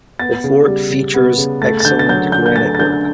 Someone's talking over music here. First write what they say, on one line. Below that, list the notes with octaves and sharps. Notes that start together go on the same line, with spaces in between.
The fort features excellent granite work.
B3 A6
C#3
G3
C#3
B3
C#3
A3 A6
A6
D3 G6
A6
F#3 G6
D3 G6
G6
A3 A6
A6
D3 G6